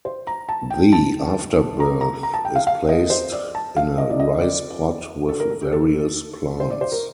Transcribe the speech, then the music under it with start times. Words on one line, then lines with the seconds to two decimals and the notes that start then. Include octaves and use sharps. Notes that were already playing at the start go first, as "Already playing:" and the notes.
The afterbirth is placed in a rice-pot with various plants.
0.05 C5
0.27 A#5
0.49 A5
0.70 G5
0.93 A5
1.80 A#5
2.01 A#5
2.23 A#5
2.34 A5
2.45 G5
2.56 F5
2.67 F5
2.89 D#5
3.10 C5
3.32 D5
3.55 A5
3.77 F5
3.98 D#5
4.10 D5
4.20 D#5
4.41 D5
5.29 A4
5.40 A#4
5.50 A4
5.62 G4
5.72 A4
6.60 C5
6.70 D5
6.81 C5
6.92 A#4